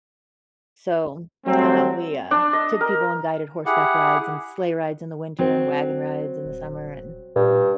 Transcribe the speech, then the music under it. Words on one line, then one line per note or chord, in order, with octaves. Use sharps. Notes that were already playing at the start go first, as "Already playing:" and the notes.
so, uh, we, uh, took people on guided horseback rides, and sleigh rides in the winter, and wagon rides in the summer, and
F#3 G3 A3 C4
D4
D#5
A#4
E4 G4 G#4 F#5
F#3 C4
D#1
G2 A#2